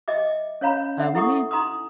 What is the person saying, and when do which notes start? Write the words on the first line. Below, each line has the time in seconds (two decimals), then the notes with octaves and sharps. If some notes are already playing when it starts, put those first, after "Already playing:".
uh, we made
0.08 D#5 E5 G5 D6
0.61 C#4 C#5 F5 A#5 B5
1.00 E5 F#5
1.15 E4 A4 F#5 C#6 D#6
1.51 D#4 A#5 C6 D#6